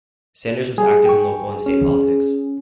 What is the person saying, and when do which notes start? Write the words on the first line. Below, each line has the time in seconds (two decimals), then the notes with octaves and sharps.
Sanders was active in local and state politics.
0.78 G3 G#4
1.05 G5 C#6
1.66 C#4